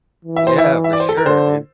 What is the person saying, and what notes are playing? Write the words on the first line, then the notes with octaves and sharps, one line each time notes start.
Yeah, for sure, dude.
E3
E5
C5
E5
E5
D5
C5
A4
A#4
D3 C5